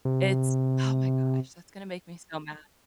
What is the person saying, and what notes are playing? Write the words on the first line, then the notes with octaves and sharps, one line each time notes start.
It's oh my gosh, that's gonna make me so mad.
C3